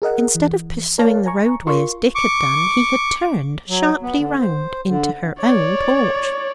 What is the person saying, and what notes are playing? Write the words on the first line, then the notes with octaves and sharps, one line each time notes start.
Instead of pursuing the roadway as Dick had done he had turned sharply round into her own porch.
G#4 A#4 D#5 F#5
E3
A#4 C#5 D5 F5 A5
G#5 A#5 C#6
F4 A#4 C6 C#6
C#6 D6
F#3
B3
D3
C5
D3
C#5 D5